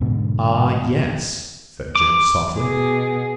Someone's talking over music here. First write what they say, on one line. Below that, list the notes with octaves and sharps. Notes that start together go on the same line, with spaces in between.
"Ah, yes," said Joe, softly.
E1 G#2 B2 D3
D6
B2 G#4